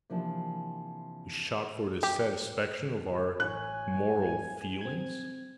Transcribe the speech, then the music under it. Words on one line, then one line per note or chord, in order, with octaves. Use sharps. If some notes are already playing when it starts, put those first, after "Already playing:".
To be shot for the satisfaction of our moral feelings?
C3 E3 F3 A#3 D4
G4
A1 C#5 G#5 F#6
C4 G#6